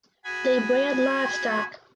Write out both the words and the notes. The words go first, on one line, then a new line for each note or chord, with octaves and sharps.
They bred livestock.
F#4 G#4 G#5 B5 G#6